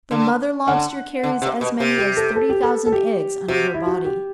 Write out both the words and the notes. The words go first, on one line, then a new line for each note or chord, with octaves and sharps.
The mother Lobster carries as many as thirty thousand eggs under her body!
D3
D3 F#5
D3
C3
B2
C3
G4
A4
A4
G4
A4
A4
G4
C3 F#4
E4
F#4
G4